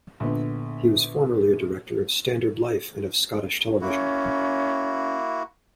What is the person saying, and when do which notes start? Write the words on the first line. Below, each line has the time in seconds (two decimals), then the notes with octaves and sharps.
He was formerly a director of Standard Life and of Scottish Television.
0.20 A#1 D3 B3
3.81 A#3 C#4 E4 F#4